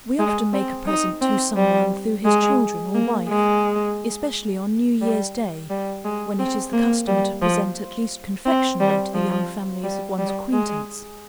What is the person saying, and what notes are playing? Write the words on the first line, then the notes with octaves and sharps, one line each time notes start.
We often make a present to some one through his children or wife, especially on new year's day, when it is the custom to present at least confectionary to the young families of one's acquaintance.
G#3
C4
D#4
C4
G3
G#3
A#3
G#3
G3
G3
G#3
C4
A#3
G3
F3
C4
G3
F3
G3
G3
G#3